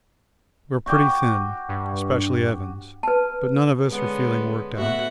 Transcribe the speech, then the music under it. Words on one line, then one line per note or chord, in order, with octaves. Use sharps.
We are pretty thin, especially Evans, but none of us are feeling worked out.
F#4 G5 D6
G2
B4 A5
D3 G#3 B3 C#4
A2 B3 F#4 E5 F#5